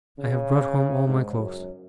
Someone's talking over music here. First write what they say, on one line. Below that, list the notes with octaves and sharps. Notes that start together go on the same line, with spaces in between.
I have brought home all my clothes.'
C#3
G#2
F#2